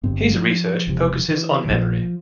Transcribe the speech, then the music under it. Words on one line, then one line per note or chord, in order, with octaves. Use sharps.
His research focuses on memory.
G1 G2 C4
G#3
F3
E1 E2 C3
E3
E3
A#1 A#2 F3